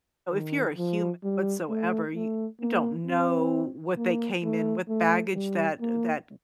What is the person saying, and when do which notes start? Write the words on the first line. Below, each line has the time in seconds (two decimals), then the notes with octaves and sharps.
know if you're a human whatsoever, you don't know what they came in with, baggage that that
0.32 D#3
0.78 F3
1.24 G3
1.69 A3
2.14 A3
2.61 A#3
3.06 C4
3.97 A#3
4.43 A3
4.89 A3
5.35 G3
5.81 A#3